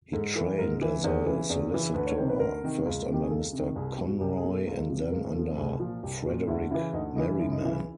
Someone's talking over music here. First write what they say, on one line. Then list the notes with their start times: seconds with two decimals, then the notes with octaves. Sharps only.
He trained as a solicitor, first under Mr Conroy and then under Frederick Merriman.
0.13 G#2 A4
0.35 E3 A4
0.58 G#2 A#4
0.81 E3
1.04 E2 C5
1.26 C#3 E3
1.50 E2
1.71 C#3 E3
1.94 D2 B4
2.06 C#5
2.17 C3 D#3 C5
2.29 B4
2.39 D2 A#4
2.63 C3 D#3
2.85 C#2
3.07 C3
3.12 D#3 G4
3.22 G#4
3.30 C#2 A4
3.53 C3
3.58 D#3
3.76 C2 G#4
3.92 G4
3.98 B2
4.06 F#4
4.21 C2 G4
4.36 G#4
4.44 B2
4.51 A4
4.67 C#2
4.90 C3 F3
5.11 C#2 A#4
5.35 C3 A4
5.39 F3
5.57 C2 G#4
5.80 A#2 F3
6.03 C2 G4
6.25 A#2 F3 F#4
6.47 D2 E4
6.70 C#3 E4
6.74 E3
6.93 D2 D#4
7.16 C#3 E3 D#4
7.39 F#2 E4
7.52 D#4
7.61 C#3 E3 E4